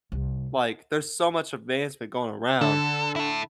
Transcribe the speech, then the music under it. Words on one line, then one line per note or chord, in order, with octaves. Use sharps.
Like, there's so much advancement going around,
C2
D3 A4
E4 A4